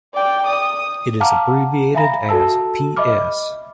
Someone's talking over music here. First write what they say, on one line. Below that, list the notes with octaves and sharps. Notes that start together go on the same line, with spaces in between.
It is abbreviated as "ps".
D5 G5
D#6
F5 F#5 A5 A#5 D6 F6
E5 F5 G#5 A#5 B5 A#6
F#4 A4 A5 E6
D#5 E5 B5 D6 F6